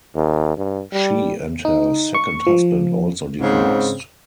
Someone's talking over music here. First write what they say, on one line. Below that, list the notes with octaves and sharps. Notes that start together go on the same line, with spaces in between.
She and her second husband also divorced.
D#2
G2
G3
D#4
C#6
F3
G#2 C#3 C4